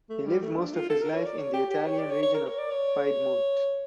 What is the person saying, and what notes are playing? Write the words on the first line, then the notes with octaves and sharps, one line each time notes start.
He lived most of his life in the Italian region of Piedmont.
A3
G3
A3
D4
F4
A4
A#4
C#5
D5
C#5
G4
G4
C#5
D5
C#5
C#5
A#4
C#5
D5
C#5